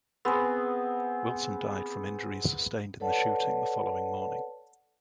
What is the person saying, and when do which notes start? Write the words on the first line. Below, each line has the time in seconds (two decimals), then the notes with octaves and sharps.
Wilson died from injuries sustained in the shooting the following morning.
0.25 B3 C4 G#4
3.00 A4 B4 C#5 D5 F#5 A5